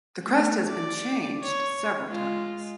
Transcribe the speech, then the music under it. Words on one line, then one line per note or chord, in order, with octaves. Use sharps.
The crest has been changed several times.
A3
D5
C#5
G#3 F4